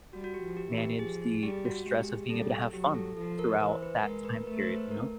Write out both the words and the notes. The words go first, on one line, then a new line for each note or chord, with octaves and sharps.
manage the the stress of being able to have fun throughout that time period, you know?
G3 F#4
F#4
G4
F3
G4
E3
G4
F3 G#4
G#4
G3 G4
F#4
G#3 G4
G4
G#4
G3 A4
F#3 G4
A4
F3 A4
A#4
E3 C5
B4
G#3 A#4
B4
A#4
A3 B4
C5
B4
A#4